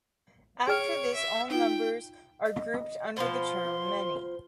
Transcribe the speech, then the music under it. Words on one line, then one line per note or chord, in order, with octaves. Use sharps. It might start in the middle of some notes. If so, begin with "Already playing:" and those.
After this all numbers are grouped under the term 'many.
G#4 C#5 G5 F6 D7
E5
D#4 F4 G5
D#5
B2 F3 C5 C6